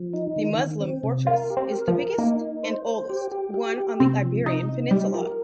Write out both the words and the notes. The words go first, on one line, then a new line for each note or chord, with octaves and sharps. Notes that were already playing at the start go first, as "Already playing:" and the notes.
The Muslim fortress is the biggest and oldest one on the Iberian peninsula.
Already playing: F3
D#4
D#3
D#3
C4
C3
F4 A#4
G4
C4
A#4
F3
A#4
A#3 D#4
D#4
C5
C5
G4
G4
G4
G4
C3 C4
F3
C3 D#4
D#4
G3 G4
F3 A#4